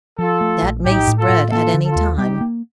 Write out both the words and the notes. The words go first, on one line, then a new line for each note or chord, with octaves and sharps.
That may spread at any time.
F3 F4 A4
A3
A#1
A2 D#4 G4
A2
F4 A4
A2
A#3 F4 A4
D3
F4 A4
D#2
G3 D#4 G4
A#3